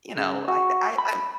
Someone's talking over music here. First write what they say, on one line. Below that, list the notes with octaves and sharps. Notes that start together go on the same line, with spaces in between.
you know, I I I'm
C#3
F#4
B5